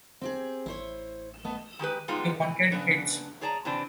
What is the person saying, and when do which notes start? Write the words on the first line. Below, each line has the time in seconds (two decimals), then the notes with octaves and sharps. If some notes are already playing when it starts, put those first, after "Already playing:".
They wanted hits.
0.21 C4 G4 G#4
0.66 A1 E4 C5 C#5
1.45 A3 B3 D#5
1.79 D#3 G#3 G4 B4
2.08 G3 G#3 B3 D#4 F4
2.42 E3
2.72 C#3 B3 D4
3.41 G#4 C#5 D5 A5 A#5
3.65 C3 E3 C4 D4